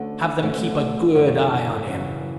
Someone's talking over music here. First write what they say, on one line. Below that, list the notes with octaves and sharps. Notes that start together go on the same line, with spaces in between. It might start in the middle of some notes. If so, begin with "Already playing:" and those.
Have them keep a good eye on him.
Already playing: D2 D3 A3 C#4
D2 D3 A3 C#4
F#2 C#3 E3
F#2 C#3 E3